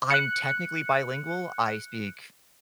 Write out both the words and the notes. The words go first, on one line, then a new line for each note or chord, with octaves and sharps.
I'm technically bilingual, I speak
F#6 C#7